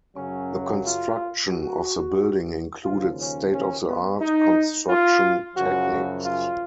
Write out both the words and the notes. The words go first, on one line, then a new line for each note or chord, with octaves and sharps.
The construction of the building included state-of-the-art construction techniques.
F#2 C#3 F#3 C#4
F4
F#4
D#2 C#3 F3 F4
C#4
C#4
B3
D#4
F4
F#2 C#3 F3 F#4
F4